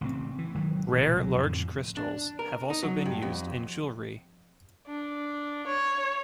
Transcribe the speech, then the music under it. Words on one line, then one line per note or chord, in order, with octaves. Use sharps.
Rare large crystals have also been used in jewelry.
A1 C#3 E3 C4
E3
G#1 D#3 F#3 G#3
A#1 B2 F3
C#2 F#3
F2 A2 D3
D4
A#4
D#4
F#3
G2
F2
D4
C#5